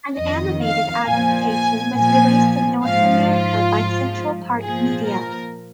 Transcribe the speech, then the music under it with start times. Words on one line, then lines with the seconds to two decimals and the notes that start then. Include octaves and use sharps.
An animated adaptation was released in North America by Central Park Media.
0.17 F2 D#3 D#5
0.62 F5
1.06 A#2 F3 G#5
1.50 G#5
1.94 A#2 F3 G#5
2.84 G#2 F3 F5
3.27 F4
3.72 G#2 F3
4.61 A#2 F3 G#4
5.05 A#4